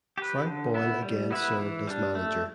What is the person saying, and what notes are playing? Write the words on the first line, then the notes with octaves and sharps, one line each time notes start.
Frank Boyle again served as manager.
G4 B4
D3
B3 E4
G3
B3 E4 B4
E3
G3 D4
A3